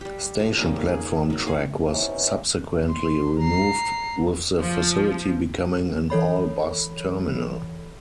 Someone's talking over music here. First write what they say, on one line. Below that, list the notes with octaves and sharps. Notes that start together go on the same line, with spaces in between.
Station platform track was subsequently removed with the facility becoming an all-bus terminal.
G3 G4
F3
G3 A#3 C#4 D#4
G#4
D#3 F#3
G#4 F5
C3 E3 B3 C#4 D#4 E4
C6
A#5 C7
F3
E3 A4 C#5 B5